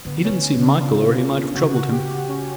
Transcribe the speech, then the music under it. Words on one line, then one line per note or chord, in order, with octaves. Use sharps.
He didn't see Michael, or he might have troubled him.
D3 B3
C#3 C#4
D3
C#4
C#3
D4
F4
C#3 F#4
F#4
F#4
G4
F#4
C#4